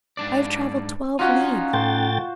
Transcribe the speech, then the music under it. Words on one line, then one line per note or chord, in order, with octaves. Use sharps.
I have travelled twelve leagues.
G#2 D4 D5
C#4 D#4 F4 F#4
A2 C5 G5 A6